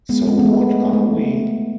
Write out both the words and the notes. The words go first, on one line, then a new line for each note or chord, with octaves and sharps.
So what are we?
G#3 B3
G#3
B3
A3
A3